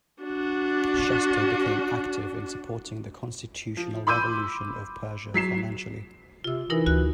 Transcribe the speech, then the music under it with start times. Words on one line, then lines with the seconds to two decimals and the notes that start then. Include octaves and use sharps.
Shuster became active in supporting the Constitutional revolution of Persia financially.
0.23 D4 F#4
3.77 F3
4.07 B5 C6 D6 E6 G6 D#7
5.34 F#3 B6 C7 E7
6.44 C3 F4 E6
6.70 E3 D#4 E4 A#4
6.86 D2 F#4 F#6